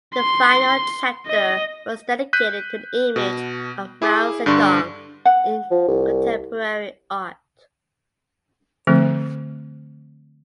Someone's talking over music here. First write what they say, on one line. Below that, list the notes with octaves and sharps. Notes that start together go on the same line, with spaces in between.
The final chapter was dedicated to the image of Mao Zedong in contemporary art.
C6
D#5
F#6 G6 B6 D#7
B2
E4 G#4 D6
G2 D3 D4 C6 C#6
F#5
F3
C2
D3 F3 A3 C4